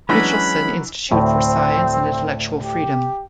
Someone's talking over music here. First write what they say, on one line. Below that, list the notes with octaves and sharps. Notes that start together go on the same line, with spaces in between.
Michelsen Institute for Science and Intellectual freedom.
E3 F#3 G#3 C#4 D4 F#4 B4 B5
D2 A2 C4
G4